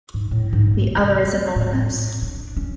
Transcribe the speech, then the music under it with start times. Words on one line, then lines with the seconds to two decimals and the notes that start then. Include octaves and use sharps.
The other is anonymous.
0.14 G#2
0.31 A2
0.53 G#2
0.74 A3
0.98 C3
1.23 C2
1.56 A2
1.82 A2
2.22 D4
2.57 C#4